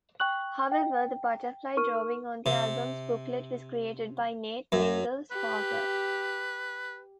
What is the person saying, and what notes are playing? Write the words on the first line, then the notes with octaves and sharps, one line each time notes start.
However, the "butterfly" drawing on the album's booklet was created by Nate Mendel's father.
G5 C#6 F#6 F#7
G5
D#4 A#4 C#6 F6 D#7
C3
F#2
G4 B4